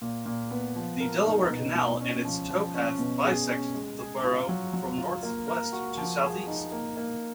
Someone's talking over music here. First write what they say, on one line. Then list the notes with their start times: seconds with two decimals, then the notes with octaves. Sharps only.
The Delaware Canal and its towpath bisect the borough from northwest to southeast.
0.01 A#2
0.26 A#2
0.51 B3
0.76 F3
1.00 A#4
1.26 D#4
1.50 B2
1.75 B2
2.00 C#4
2.25 F3
2.50 F3
2.74 C#4
2.99 B2
3.24 G#4
3.49 C#4
3.74 G#3
3.99 G#4
4.24 F4
4.49 F#3
4.73 F#3
4.98 F4
5.23 A#3
5.48 A#4
5.73 F#4
5.97 F3
6.22 G#4
6.47 D#4
6.72 A#3
6.97 A#3